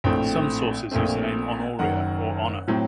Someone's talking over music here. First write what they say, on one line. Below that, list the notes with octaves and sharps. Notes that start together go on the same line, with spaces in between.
Some sources use the name "Honoria" or "Honor".
A#1 A2 A3 C4 G5
A#1 A#2 A3 C4
F#1 F#2 D#3 F#5
A2 F#3 C4